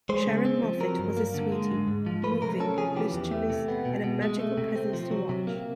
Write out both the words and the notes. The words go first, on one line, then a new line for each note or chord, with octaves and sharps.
Sharyn Moffett was a sweetie; moving, mischievous and a magical presence to watch.
G#3 C5
C#3
C4
F3
F#3 A#4
G2
A#3
D3
G#3
G#2
G#2
F3
A3 B4
C3 A#4
C#4 A4
F3 G#4
E3 G4
E2
A3
C3
B3
B2
B2
G#3
A3
C3
C4
F3
F#3
C3
A#3